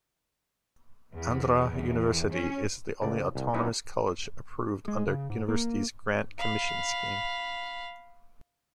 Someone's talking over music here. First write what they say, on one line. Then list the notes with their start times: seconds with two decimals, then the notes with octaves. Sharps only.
Andhra University is the only autonomous college approved under "Universities Grant Commission" scheme.
1.13 E2
2.30 C#4
3.02 C#2 D5
3.35 C2
3.54 F#3 B3 C#4 D#4 E4
4.88 G#3
5.07 C#3
5.30 G#2
5.48 A#3
6.38 F5 B5